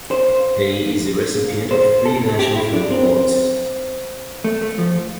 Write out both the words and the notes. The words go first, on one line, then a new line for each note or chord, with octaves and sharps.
He is the recipient of three National Film Awards.
C5
C5
A4
G4
E4
D4
C4
A3
A3
F3